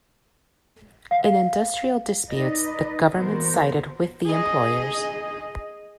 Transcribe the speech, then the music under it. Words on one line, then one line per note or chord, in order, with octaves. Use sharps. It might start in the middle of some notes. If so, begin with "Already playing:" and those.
In industrial disputes, the government sided with the employers.
F5
D#4 B4 D5 D#5
A#2 E3 B3 F#4 A#4 C5
G#4 D#5